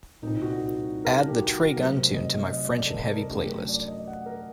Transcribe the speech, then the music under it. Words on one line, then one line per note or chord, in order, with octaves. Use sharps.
Add the trey gunn tune to my French N' Heavy playlist.
C2 A#2 G3 C4 D#4
F#4
A#4
A4
G4
F#4
C3 F#3 A3 C4 A#4
C5
D#5
D#5
D#5
D5
A4
A#4
A4
A#4
F#2 F#3 A3 D4 G4
A#4
D5
D#5
F#5
A#4